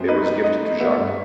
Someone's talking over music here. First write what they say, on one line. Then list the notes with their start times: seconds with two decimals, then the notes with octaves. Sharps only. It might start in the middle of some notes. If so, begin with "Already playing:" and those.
It was gifted to Jac.
Already playing: F#2 B3 C4
0.08 D#4 B4
0.26 D#4
0.44 D#4 D#5
0.62 A3
0.80 B3 E5
0.97 G2